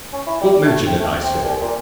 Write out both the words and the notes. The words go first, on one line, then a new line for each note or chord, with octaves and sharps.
"Don't mention it," I said.
C#4
E4
G3
A3
C4
A3
C4
C2
A#2